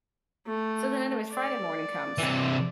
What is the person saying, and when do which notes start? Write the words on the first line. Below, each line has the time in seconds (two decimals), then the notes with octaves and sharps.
So then anyways, Friday morning comes
0.46 A3
1.33 D5
2.19 C3 E3